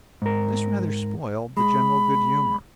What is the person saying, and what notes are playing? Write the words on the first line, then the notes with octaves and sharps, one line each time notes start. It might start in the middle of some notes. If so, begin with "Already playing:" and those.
This rather spoiled the general good humor.
G#2 A#4
G#3 B5